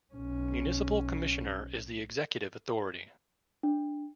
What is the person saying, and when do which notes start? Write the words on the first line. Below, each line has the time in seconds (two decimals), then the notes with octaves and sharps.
Municipal Commissioner is the executive authority.
0.14 B1 C#4
3.63 D4